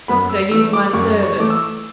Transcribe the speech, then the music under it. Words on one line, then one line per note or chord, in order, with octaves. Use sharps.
Doctor, here's my service.
F#2 B5
E6
E3 A3 E6
D6
F#2 C#6
C#6
E3 A3 D6
E6